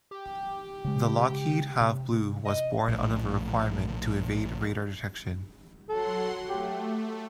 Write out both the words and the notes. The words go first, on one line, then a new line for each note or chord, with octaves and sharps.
The Lockheed "Have Blue" was born out of a requirement to evade radar detection.
G4
C#3 G#3
C3
D#5
A#1 A2
F#3 A4 F#5 C6
A3 G4